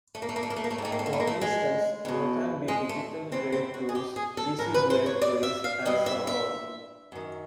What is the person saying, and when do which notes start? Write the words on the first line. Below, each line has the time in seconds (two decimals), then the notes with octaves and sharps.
For instance, there can be difficult grade twos, easy grade threes, and so on.
0.15 A3
0.22 A#3
0.29 A3
0.36 A#3
0.43 A3
0.50 A#3
0.56 A3
0.64 A#3
0.70 A3
0.78 G#2 A#3
0.82 D#3 A3
0.92 A#3
0.99 A3
1.06 A#3
1.13 A3
1.20 A#3
1.27 A3
1.41 G#3
2.05 E2 B2
2.68 G#3
2.89 A3
3.32 E2 C3 E3 C4
3.52 C4
3.74 F#4
3.89 G#4
3.95 G4
4.16 G#4
4.37 A4
4.58 G#2 E3 A#4
4.74 B4
4.90 C5
5.06 C#5
5.22 D5
5.43 E5
5.64 F5
5.85 G2 E3 D#5
6.06 E5
6.27 E5
7.12 F#2 D#3